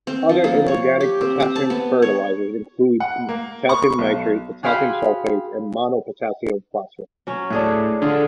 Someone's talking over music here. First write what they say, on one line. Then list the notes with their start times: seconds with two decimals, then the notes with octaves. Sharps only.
Other inorganic potassium fertilizers include potassium nitrate, potassium sulfate, and monopotassium phosphate.
0.07 C4
0.29 F3
0.44 A#3
0.68 C#5
1.01 G4
1.21 C4
1.40 C4
1.56 A5
1.70 B3
2.02 C#5
3.00 F#5
3.29 A#3
3.69 C#6
3.98 B1
4.63 F#4 G#4 F5 G5 B5 C6
7.27 F#3 C#4
7.50 A2 D4 G#4 C#5
8.02 D3 F4 G#4